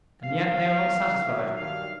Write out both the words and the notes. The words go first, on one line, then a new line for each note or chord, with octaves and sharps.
And yet they are not satisfied.
G2 D3 F3 F5
G2 E3
G2 E3
G#2 D#3 F#3 E5
G2 D#3 F#3 F5